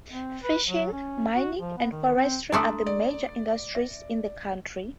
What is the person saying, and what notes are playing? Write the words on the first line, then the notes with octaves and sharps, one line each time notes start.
Fishing, mining and forestry are the major industries in the county.
C4
B4
F#3
C#4
F#4
F3
B3
D#3
C4
A3 D4 E4 A#5 C6 D#6
D5
E5